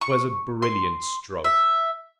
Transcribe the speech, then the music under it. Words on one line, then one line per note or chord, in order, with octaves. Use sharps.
'Twas a brilliant stroke.
C#6
C6
E5